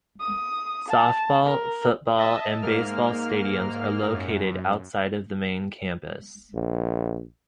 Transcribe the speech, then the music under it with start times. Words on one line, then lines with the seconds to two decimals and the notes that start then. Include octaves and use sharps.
Softball, football, and baseball stadiums are located outside of the main campus.
0.20 D#6
0.88 A5
1.45 A#4
2.18 D#5 E5 A5
2.62 G#2 A#3 F6
4.13 F#2
6.54 A#1